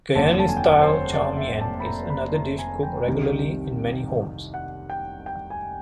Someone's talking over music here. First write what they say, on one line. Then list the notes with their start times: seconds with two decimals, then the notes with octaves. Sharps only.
Guyanese-style Chow Mein is another dish cooked regularly in many homes.
0.15 F1 D#2 D3 F#3 A5
0.40 A5
0.49 G#5
0.57 G5
0.64 F#5
0.81 C5
0.88 C#5
1.12 D5
1.37 E5
1.61 A5
1.80 B5
1.86 A#5
2.10 B5
2.35 A#5
2.58 G#5
2.83 G5
3.07 C2 C3 D#3 G3
4.54 F#5
4.90 G5
5.26 G5
5.50 G#5